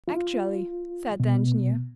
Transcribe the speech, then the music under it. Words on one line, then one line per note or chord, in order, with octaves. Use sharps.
'Actually,' said the engineer.
F4
B2